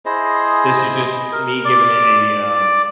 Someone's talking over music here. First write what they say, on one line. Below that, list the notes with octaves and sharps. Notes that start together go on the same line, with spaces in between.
this is just me giving it a uh,
E4 G#4 C5 D#5
A#4
D5 D6